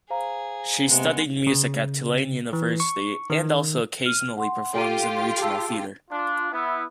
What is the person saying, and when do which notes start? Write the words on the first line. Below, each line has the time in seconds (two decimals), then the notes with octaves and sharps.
She studied music at Tulane University and also occasionally performs in regional theatre.
0.10 G#4 C5 F5 A#5
0.89 C3 G#3 B3
1.47 C#3
2.53 E3
2.80 C#6
3.30 D#3
4.05 F6 D#7
4.37 F#5 C6
4.73 F4 G4 A4 D7 D#7
5.41 G#4 A5 E6
6.10 D4 F4
6.52 B3 E4